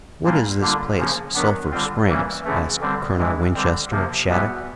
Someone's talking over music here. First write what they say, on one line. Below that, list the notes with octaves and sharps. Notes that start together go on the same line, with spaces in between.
"What is this place, Sulphur Springs?" asked Colonel Winchester of Shattuck.
A#2 G3 A#3 D4 F4
D3 G3 A#3 D4 F4
C#3 F3 A#3 C#4
D#3 F#3 B3 D4
D3 G3 C4 F4
E3 G3 A#3 C#4
F#2 C#3 E3 A3
D3 G3 C4
G2 E3 G#3
D3 G3 C4
C3 F3 A#3
E2 B2 G3 B3